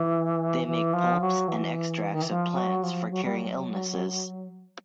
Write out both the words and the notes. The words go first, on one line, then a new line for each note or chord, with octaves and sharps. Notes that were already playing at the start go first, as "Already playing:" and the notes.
They make pulps and extracts of plants for curing illnesses.
Already playing: E3
E3
F3
F#3
E3
D#3
E3
F3
F#3
F3
F#3
G3
F#3